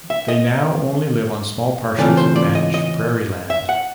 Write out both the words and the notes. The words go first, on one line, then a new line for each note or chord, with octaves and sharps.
They now only live on small parcels of managed prairie land.
E5
D#5
C#3 E3 A3 C4 F4 D5
C5
D5
D#5
D#5
E5
F#5